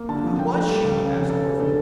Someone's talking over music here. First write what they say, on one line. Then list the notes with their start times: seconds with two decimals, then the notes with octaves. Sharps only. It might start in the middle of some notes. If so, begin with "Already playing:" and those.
"But who was she?" asked Dorothy.
Already playing: A#3
0.09 D3 A5
0.24 F3
0.39 F3 G5
0.54 A3 G5
0.69 G3 A4
0.84 C#2
1.00 C#3
1.15 F1
1.30 C#3 A4
1.45 E1
1.60 D3 A4